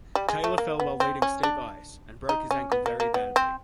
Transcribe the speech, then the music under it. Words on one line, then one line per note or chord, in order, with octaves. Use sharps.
Taylor fell while leading steep ice, and broke his ankle very badly.
G3
G#3
A3
A#3
B3
C4
C#4
D4
D#4
C#4
B3
A#3
A#3
B3
C4